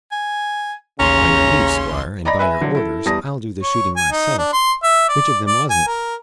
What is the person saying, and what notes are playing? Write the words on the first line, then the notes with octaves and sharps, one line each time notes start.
"By your leave, Squire, and by your orders, I'll do the shooting myself. Which of them was it?"
G#5
A1 D#2 C#3 C#4 A#5 C6
D5 D#5 A#5 B5 A#6
B4 E5 G#5
D3 F#3
E4 A4
E2 G3 D5 A5 D#6 A#6
C#5
G#5
D#4
D4
C6
E5
D5
D5
G#5
A#4